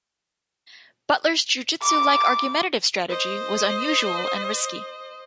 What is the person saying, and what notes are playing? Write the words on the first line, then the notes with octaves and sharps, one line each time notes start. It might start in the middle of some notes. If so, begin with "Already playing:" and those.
Butler's jiu-jitsu-like argumentative strategy was unusual and risky.
D6
C5 D#5